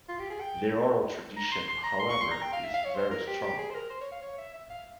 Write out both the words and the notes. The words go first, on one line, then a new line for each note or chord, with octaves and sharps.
Their oral tradition, however, is very strong.
F4
G4
G#4
G5
A#5
C6
C6
A#5
C6
C#6
C6
A#5
G5
F5
E5
F5
C#5
C5
A#4
G4
G4
G#4
C5
A#4
C5
C#5
F5
C#5
E5
E5
F5